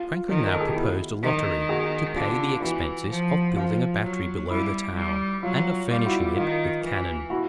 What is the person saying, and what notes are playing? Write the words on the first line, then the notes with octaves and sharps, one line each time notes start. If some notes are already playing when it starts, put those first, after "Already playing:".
Franklin now proposed a lottery, to pay the expenses of building a battery below the town, and of furnishing it with cannon.
Already playing: F4
D#3
A#4
A4
G#4
G4
E4 F#4
D#3
F#4 G#4
D3 F4 G4
F4
E3 E4 F#4
F3
F3 F4
F#3
G3 E4
G3
F#3 F4
G3 F4
E4 F#4
F4
D#3 F4
E3
E4 F#4